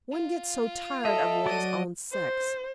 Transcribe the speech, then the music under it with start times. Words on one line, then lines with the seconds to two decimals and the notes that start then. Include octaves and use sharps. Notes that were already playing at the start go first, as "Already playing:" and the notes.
One gets so tired of one's own sex!
0.12 F4
1.05 A4 D#5 E5
1.46 F#3 D5 D#5 D#7
2.12 C5